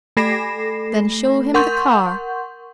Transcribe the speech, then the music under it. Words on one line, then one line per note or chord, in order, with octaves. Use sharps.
Then show him the car.
A3 A4 B5 A#6 C7 E7
A#4 F#5 C6 C#6 G6